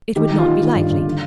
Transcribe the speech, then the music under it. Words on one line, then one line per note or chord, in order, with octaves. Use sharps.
It would not be likely.
D#3 G4
D#3
F4
D#3
D#3
G2
G2
D3